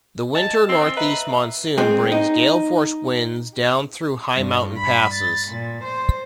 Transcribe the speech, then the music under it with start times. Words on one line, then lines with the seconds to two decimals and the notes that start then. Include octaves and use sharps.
The winter northeast monsoon brings gale-force winds down through high mountain passes.
0.35 D#5 G#5 A5
0.69 C4
0.81 C4
0.97 B4 D#5 E5 A#5
1.78 G#3 C4
2.12 D#4
4.37 G2
4.77 B5
5.14 A6
5.48 A#2
5.85 C5